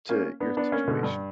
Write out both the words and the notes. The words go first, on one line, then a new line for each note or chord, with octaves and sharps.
to your situation.
A#3 C#4
B3 D4
B3 D4
A#3 C#4
B2 D3
G2